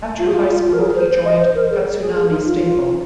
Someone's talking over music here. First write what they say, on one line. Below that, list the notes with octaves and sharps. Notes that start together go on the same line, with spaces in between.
After high school he joined Tatsunami stable.
F4
G#4
F4
F4
A#4
G#4
C5
C5
D#5
C5
A#4
G#4
G#4
G#4
D#4
F4